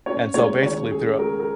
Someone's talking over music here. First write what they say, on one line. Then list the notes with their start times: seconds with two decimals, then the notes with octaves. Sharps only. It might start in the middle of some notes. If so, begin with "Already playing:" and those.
And so basically throughou
0.06 C#4 C#5
0.34 G#3 C#5
0.63 D#2 C#5
0.90 C#4 G#4
1.19 G#3 A#4
1.39 A#4